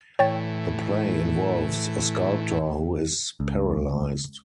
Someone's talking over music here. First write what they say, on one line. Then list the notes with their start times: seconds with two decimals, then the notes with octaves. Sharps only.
The play involves a sculptor who is paralysed.
0.19 A2 E3 C#5 G5 A6
3.40 C#2